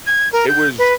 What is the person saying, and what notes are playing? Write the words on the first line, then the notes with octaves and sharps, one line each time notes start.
it was
G#6
A#4
G6
B4